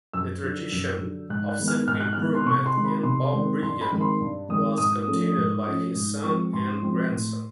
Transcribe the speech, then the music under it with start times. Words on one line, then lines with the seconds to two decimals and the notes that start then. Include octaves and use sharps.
The tradition of civic improvement in Balbriggan was continued by his son and grandson.
0.13 F#2 E6
0.43 D3 F#3
0.72 F#2
1.01 D3 F#3
1.29 G#2 F#6
1.49 F#6
1.59 D#3 G#3 B3
1.68 F6
1.87 G#2 F6
2.00 F#6
2.13 D#3 G#3 B3 F6
2.35 C6
2.46 C3 C#6
2.66 C6
2.75 D#3 G#3 C4
2.84 B5
3.03 C3 C6
3.33 D#3 G#3 C4
3.62 G2 C6
3.81 B5
3.91 D#3 G#3 C4
4.01 C6
4.21 G2
4.49 D#3 G#3 C4 D#6
4.78 G#2 D#6
5.07 F3 A3 C#4
5.37 G#2
5.65 F3 A3 C#4
5.95 G#2
6.23 F3 G#3 C4 C#6
6.53 G#2 C6
6.81 F3 G#3 C4
7.11 A2